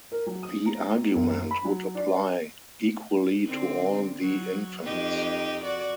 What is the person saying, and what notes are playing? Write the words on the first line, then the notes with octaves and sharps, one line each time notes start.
The argument would apply equally to all the infants.
A#4
F#3
D#6
A#5
F#2
B5
F#3
D4
D3 C4
F#3
F2 D#4 G4
F#4 D5